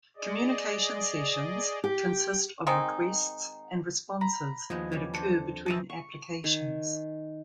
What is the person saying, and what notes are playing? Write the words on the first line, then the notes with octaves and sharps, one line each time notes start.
Communication sessions consist of requests and responses that occur between applications.
G#4 D5 D#5
G4 G5
D#3 G#3 C4 D#4
A#5 B5
D#2 F3 G#3 B3 D#4 G#6
C#3 E3 G3
F2 C4 D4 A4
C3 E3 D#5 E5 A5
C#6
D#3 G#5